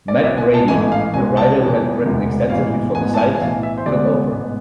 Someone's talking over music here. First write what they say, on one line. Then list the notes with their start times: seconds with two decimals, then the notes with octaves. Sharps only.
Matt Brady, a writer who had written extensively for the site, took over.
0.08 D5
0.23 C2 B2 B3 E5
0.38 G#5
0.54 A5
0.68 A1 G#2 E3 A3 G#5
0.92 F5
1.14 C2 B2 G#3 B3 G#5
1.37 A5
1.59 F2 E3 B3
2.05 E1 D2 C3 G#3
2.50 A1 G#2 E3 F5
2.95 A1 G#2 E3 B3 G#5
3.14 A5
3.18 G#5
3.35 G#5
3.40 B1 A2 E3 F5
3.63 E5
3.78 C5
3.86 D2 D3 G#3 B3 D5
4.31 A1 G#2 G#3 B3